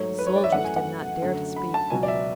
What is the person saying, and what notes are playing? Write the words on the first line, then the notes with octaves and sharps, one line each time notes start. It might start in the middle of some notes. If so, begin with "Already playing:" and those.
The soldiers did not dare to speak.
Already playing: G#2 F#3 A3 C#5
B4
C#5
D5
E5
F#2 E3 A3 F#5
G#5
F#5
F#2 D3 A3
B5
A5
C#2 B2 F#3 G#5
D5
E5